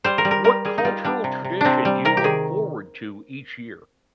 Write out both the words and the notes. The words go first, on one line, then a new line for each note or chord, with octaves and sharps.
What cultural tradition do you look forward to each year?
G3 C5
A#4
G3
A#4
G3 A#4
G3 G#4
D#4
G3 F4
G3 D4
C3
C3
C3 C4 D4
G3
C3 A#4
G4
D#3 G#4